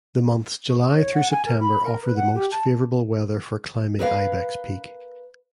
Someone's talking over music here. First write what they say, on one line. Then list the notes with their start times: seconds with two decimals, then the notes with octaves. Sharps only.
The months July through September offer the most favorable weather for climbing Ibex Peak.
0.70 C#6
0.94 C#5
1.14 F#5
1.31 G#5
1.46 A#4
1.60 B5
1.85 A#4
2.03 B4
2.16 F#5
2.34 G4
2.51 A5
3.99 A#4 B4 D5 F5